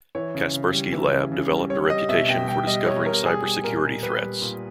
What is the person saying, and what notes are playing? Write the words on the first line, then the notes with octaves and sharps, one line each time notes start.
Kaspersky Lab developed a reputation for discovering cybersecurity threats.
E3 C#5
C#3
C#3
G3
E3
C#3
C#3
G3
G3 C#5
G3 D#5
B2 E5
B2 G5
G3 G5
G3 D#5
B2 C#5
B2 A#4
G3 G#4
G3
A#2 A#4
A#2
G3 B4
G3
A#2